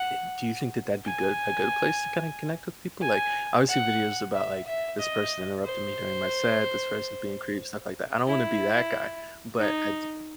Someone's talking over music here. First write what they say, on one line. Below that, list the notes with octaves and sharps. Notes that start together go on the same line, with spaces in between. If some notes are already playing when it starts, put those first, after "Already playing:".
eh do you think that that'd be good a good place to kinda connect with people? Like, I always see videos about, like, this person interrupting me during my set, this person's being creep stuff like that, I don't wanna be that guy. But I'd j
Already playing: F#5
G#5
G#5
F#5
E5
E5
D#5
C5
E4
D#4